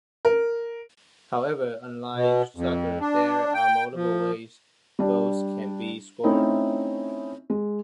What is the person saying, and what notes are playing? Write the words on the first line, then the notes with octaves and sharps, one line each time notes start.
However, unlike soccer, there are multiple ways goals can be scored.
A#4
B2
F2
D4
G5
F3
G3 D4
A3 C4 C#4 D#4 E4
G#3